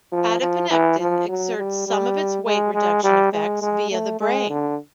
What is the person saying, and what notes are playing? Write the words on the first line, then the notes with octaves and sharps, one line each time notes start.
Adiponectin exerts some of its weight reduction effects via the brain.
F3
F3
E3
F3
F#3
G3
G3
G#3
G#3
G3
G#3
G#3
A3
G#3
D3